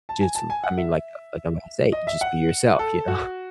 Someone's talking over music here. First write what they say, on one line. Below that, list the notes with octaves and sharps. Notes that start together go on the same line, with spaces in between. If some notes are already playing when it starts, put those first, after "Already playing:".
just, u I mean, like, uh, like I'm gonna say, just be yourself, you know?
A5
G#5
A5
G#5
F#5
E5
D#5
E5
F#5
A4
F#4